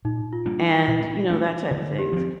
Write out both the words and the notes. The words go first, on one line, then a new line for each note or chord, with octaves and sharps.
and, you know, that type of things.
A#2 D#4
F4
G3 A#3 D4
D#4
A#2
A3 D4
D3
G4
F3 C4